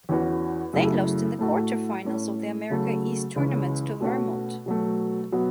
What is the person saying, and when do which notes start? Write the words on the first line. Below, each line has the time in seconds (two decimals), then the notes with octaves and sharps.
They lost in the quarterfinals of the America East Tournament to Vermont.
0.09 E2 E3 C#4 F#4
0.73 F#2 C#3 A3 E4
1.39 A2 A3 F#4
2.05 A2 A3 C#4
2.70 C#3 F#3 A3
3.36 C#2 C#3 E3 C#4
4.00 B2 A3 C#4 F#4
4.66 B2 F#3 A3
5.32 B2 F#3 B3